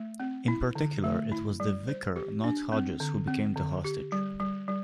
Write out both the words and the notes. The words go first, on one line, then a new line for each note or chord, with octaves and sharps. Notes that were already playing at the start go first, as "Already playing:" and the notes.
In particular, it was The Vicar, not Hodges, who became the hostage.
Already playing: A3
C4
E4
D3
A3
E4
G3
C5
G4
D4
C4
D3
C4
D3
G4
G3
G3
G3